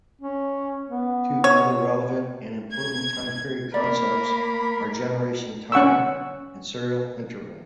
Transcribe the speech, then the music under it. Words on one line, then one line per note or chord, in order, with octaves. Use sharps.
Two other relevant and important time period concepts are generation time and serial interval.
C#4
B3
C#5
G#6
A#3 A#4 D5 B5
C#4 F#5 C#6 E6